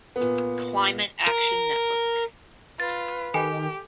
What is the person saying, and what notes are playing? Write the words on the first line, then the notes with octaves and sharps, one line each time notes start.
Climate Action Network.
A#2 B3
A#4
F4 B4 A6
D#3 G4 A4 G5 G#5